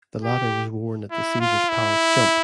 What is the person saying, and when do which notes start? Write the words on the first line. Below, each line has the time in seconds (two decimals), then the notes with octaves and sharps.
The latter was worn at the Caesars Palace jump.
0.24 G4
1.11 E4
1.40 F4
1.69 E4